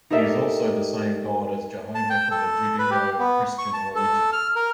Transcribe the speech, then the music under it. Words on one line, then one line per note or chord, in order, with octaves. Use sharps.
He is also the same God as Jehovah from the Judeo-Christian religion.
D#4 G4 A4 A#4 D5 E5
A5
G5
A4
B4
G4
B3
C#6
A5
A4
F6
A#4